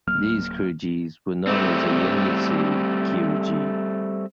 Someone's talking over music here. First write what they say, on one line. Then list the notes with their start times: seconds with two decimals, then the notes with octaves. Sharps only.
These Kyrgyz were known as the Yenisei Kyrgyz.
0.08 D1 F#3 A#3 F6
1.47 G3 A3 C4